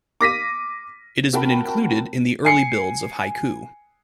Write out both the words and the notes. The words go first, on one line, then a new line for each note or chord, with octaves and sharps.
It has been included in the early builds of Haiku.
D6 A#6 B6 D#7
C4 F#4 A#4 G5 A5 B5
G#5 C7 C#7